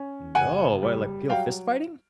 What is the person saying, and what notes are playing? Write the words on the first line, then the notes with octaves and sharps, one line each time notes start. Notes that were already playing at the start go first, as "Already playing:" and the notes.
No, well, like, people fist fighting?
Already playing: C#4
F#1 F#5 G#5
G3
F#3 F5 G5